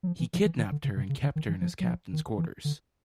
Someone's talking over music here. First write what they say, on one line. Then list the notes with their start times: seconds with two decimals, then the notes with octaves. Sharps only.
He kidnapped her and kept her in his captain's quarters.
0.03 F#3
0.07 F3
0.19 E3
0.33 F3
0.45 E3
0.58 D#3
0.72 D3
0.84 C#3
0.96 C3
1.09 C#3
1.23 D3
1.36 D#3
1.49 E3
1.61 F3
1.80 F#3
1.87 F3
2.13 D#3
2.38 E3
2.65 D3